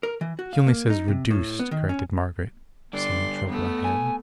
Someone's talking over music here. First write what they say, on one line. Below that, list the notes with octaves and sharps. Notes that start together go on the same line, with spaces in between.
"He only says 'reduced,'" corrected Margaret, seeing trouble ahead.
A#4
E3
F#4
F5
A#3
D#4
C3
A2
B3
D#3
C#4
G2 D3 D5 C6
A3 B3
G#5